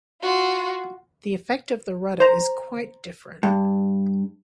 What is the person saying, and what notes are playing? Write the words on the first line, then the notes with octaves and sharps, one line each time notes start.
The effect of the rudder is quite different.
F4 F#4
C5 A#5
G2